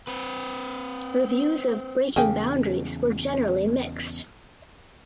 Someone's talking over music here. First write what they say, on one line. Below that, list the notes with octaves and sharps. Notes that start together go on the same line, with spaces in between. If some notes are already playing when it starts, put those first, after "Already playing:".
Reviews of "Breaking Boundaries" were generally mixed.
C4 B4
E2 C#3 A#3 G#4 G5